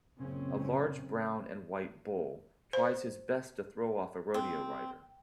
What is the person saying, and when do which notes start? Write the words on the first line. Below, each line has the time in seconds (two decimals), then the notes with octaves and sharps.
A large brown and white bull tries his best to throw off a rodeo rider.
0.18 A#1 F#2 A#2 C#3 C4 C#4
2.73 C5
4.34 C4